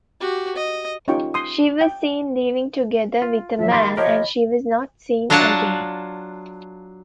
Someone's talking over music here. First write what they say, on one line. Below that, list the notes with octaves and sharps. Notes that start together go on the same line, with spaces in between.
She was seen leaving together with a man and she was not seen again.
F#4 G4
D#5
C#4 D#4 F4 G4 G5 C#6
C6 D#6
G5
F4
F3 F#3 E5
D#3 A#3 G4 B5 C6 A6 B6
F3 G4 A#4 C#5 D#5
F#3 D4 F4 F5 F#5 A5